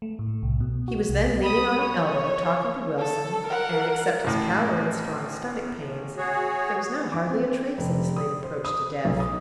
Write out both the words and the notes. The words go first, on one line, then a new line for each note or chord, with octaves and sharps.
He was then leaning on an elbow, talking to Wilson, and except his pallor, and strong stomach-pains, there was now hardly a trace of his late approach to death.
A3
A2
C2
B2
F#4
C2
B5 D#6
C#5
A4
A#4 F#5
A1 A2
F#4 G#4 C#5
D6
C4
F1
D#6
C5
D#6
B1
D#6